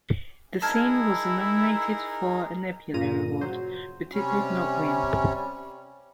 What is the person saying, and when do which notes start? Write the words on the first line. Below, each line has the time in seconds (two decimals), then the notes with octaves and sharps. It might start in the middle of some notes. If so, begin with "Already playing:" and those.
The scene was nominated for a Nebula Award, but it did not win.
0.62 D#4 E4 G#4 A#4 A5 F6 G#6
2.94 G2 A#2 C#3 A#5 D#7
3.41 F#3 C5
4.13 C3 G3 C#4